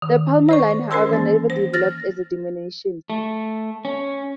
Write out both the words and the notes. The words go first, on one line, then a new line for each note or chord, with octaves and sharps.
The "Palmer line" however, never developed as a denomination.
D#3
C5 D5 C#6
C#4 A#4 C5 C6 E6
E3 A#3
C5
F6 A6 A#6
A3
C#4